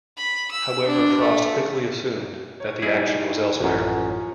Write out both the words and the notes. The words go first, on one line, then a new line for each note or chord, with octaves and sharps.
However Frost quickly assumed that the action was elsewhere.
B5
E6
D4
A3
C#5
G3 D#4 E4 G#4
A1 F#2 F3 C#4